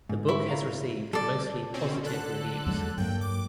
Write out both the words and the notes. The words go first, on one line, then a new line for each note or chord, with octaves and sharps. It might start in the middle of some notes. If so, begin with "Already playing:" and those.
The book has received mostly positive reviews.
G#2
E4 B5 C#6
F5 A#5
G3 A4 D5
B2 C4 C#4
D3 A4 F#6
E2 F#3 G#3
G2 F#3 A#3 G5
D6